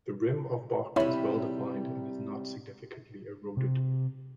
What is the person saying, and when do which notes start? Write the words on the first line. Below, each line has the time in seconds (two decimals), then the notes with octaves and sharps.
The rim of Bok is well-defined and is not significantly eroded.
0.96 C3 G3 E4 C#5 E5 B5
3.57 C3